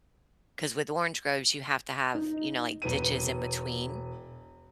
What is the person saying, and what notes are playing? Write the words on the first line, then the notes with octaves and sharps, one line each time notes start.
'cause with orange groves, you have to have, you know, like, ditches in between
D#4
E1 B4 D#7